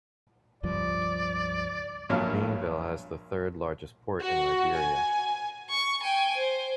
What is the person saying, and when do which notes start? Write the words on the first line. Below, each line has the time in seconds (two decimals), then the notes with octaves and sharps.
Greenville has the third-largest port in Liberia.
0.63 C#2 G2 F3 D5
2.09 A#1 G2 A#2 F#3 F5
4.21 F#4
4.77 G#5
5.69 C#6
6.03 G5 G#5
6.37 C5